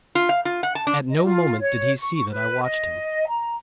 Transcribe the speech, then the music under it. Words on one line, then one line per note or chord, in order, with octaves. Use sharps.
At no moment did he see that I watched him.
F4
F5
F4
F#5
A5
D4
D#5
F4
C#5
C#6
B4
D#5
A#5